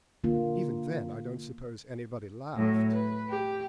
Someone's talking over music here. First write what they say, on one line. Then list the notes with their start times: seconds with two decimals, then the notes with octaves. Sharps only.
"Even then I don't suppose anybody laughed."
0.24 D3 A#3 F4
2.56 A2 F#3
2.93 B4
3.30 G4